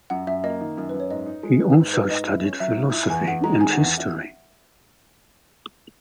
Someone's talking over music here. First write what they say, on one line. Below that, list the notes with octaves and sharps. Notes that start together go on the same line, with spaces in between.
He also studied philosophy and history.
F#2 F#5
F#2 E5
A#3 D#5
D#3
F#2 A#4
F#2 B4
C#5
G#2 D#5
D#4
G#3
D#3 B4
G#2
D#4 B4
G#2 D#5
E4
C#4
F#3 E5
G#2
E4
E2 G#5
E2 F#5
G#3 A#5
D#3 G#5
F#5
E2
F#5
E5